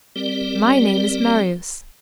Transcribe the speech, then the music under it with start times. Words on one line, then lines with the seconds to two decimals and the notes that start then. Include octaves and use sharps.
My name is Marius.
0.16 G3 C4 G4 A#4 D5